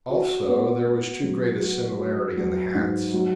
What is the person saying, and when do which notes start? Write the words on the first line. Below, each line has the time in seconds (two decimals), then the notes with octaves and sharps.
Also, there was too great a similarity in the hats.
0.10 F#4
0.47 B3
0.86 B3
1.23 F#3
1.61 F#4
1.99 F#3
2.37 F#3
2.74 G#2
3.13 F#3